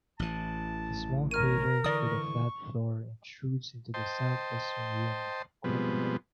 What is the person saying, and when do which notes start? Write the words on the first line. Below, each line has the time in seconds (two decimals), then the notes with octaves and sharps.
A small crater with a flat floor intrudes into the southwestern rim of Quetelet.
0.19 A1 E3 A5
1.31 A#4 C#5 F6 D#7
1.84 D3 E3 D5 C#6 D#6
3.94 C5 D#5 G5 A5 C6
5.64 B2 F3 G3 G#3 B3 C4